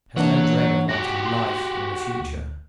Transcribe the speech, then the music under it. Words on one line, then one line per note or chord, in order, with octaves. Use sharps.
Has no dread of wanting "life" in the future.
E3 A#3 D4 C#5 F#5
F#4 G4 A#6
C6
D2